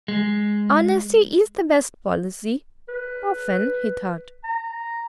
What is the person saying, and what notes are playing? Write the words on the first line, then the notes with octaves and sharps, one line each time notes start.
Honesty IS the best policy--often, he thought.
G#3
B4
A#5